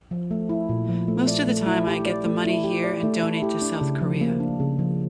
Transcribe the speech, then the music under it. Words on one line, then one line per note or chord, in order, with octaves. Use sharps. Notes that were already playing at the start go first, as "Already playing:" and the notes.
Most of time, I get the money here and donate to South Korea.
F3
A3
E4
A#2
F3
A3
D5
A3
E4
G4
D5
A3
E4
G4
D5
A3
E4
G4
D4
C#3
F3
A#3
D4
C#3
F3